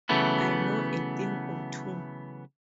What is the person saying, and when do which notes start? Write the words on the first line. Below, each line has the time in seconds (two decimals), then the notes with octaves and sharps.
I know a thing or two.
0.09 C#3 E3 F#3 A3 B3